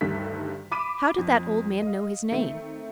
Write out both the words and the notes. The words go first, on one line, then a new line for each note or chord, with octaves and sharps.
How did that old man know his name?
D2 G2 D#3 G4 A4 B6
B5 D6 B6 D#7 E7
F2
D#5 F5
D#3 A3 C4